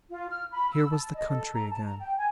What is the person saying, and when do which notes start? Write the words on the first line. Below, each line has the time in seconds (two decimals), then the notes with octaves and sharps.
Here was the country again.
0.10 F4
0.29 F6
0.52 B5
0.72 E6
0.90 A5
1.14 D#5
1.28 A4
1.54 A#5
1.70 A5
1.84 A#5
1.99 G5
2.16 G#5